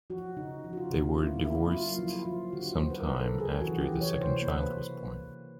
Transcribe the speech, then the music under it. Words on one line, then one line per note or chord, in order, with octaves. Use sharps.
They were divorced sometime after the second child was born.
F3 F#4
C#3 D#4
F3
F#4
F4
C#3
A#3 E4
A#3 E4
F#3 F4
F3 E4
F3 F4
D3 F#4
G4
F#4
F#3 C5
B4
A#4
F#3
A4
C#3
G#4
E3 F#4
G4
E3
C#5
C3
C5
A#3 B4